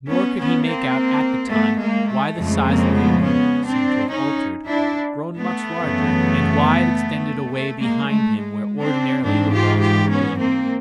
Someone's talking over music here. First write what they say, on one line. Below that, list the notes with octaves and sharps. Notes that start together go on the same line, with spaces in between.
Nor could he make out at the time why the size of the room seemed to have altered, grown much larger, and why it extended away behind him where ordinarily the wall should have been.
B3 C#4
B3 C#4
A#3 C4
A3 B3
G#3 A#3
A3
F2 C#3 F3 G#3 A3
A#3 C4
A3 B3
B3 C#4
C4 D4
C#4 D#4
D4 E4
A3 B3
F#2 C#3 E3
A3
G#3 A#3
A3
G#3
C4 D4
G#2 E3 G#3 C4 D4
F4 G4
F4 G4
B3 C#4
A#3 C4